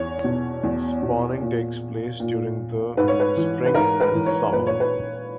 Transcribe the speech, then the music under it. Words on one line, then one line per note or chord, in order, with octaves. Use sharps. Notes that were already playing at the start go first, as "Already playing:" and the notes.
Spawning takes place during the spring and summer.
Already playing: E2 C#5
B2
E2
B2
A#2
A#2
G#2 B4
C#5
B4
E3
B4
G#2 A#4
B4
E3
C#5
A#2 B4
C#5
B4